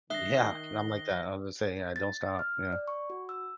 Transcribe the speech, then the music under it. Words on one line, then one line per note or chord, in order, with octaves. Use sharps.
Yeah, and I'm like that, I was gonna say, yeah, I don't stop, yeah.
D#3 E5 D#6 F#6 A#6 C7 G7
A6
F6
D5
C#6
F#4
E6